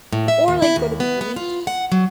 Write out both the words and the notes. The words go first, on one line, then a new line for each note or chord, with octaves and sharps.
or, like, go to the beach.
A2
E5
D#2
E4
D#2
B3
B3
F4
F#5
F#3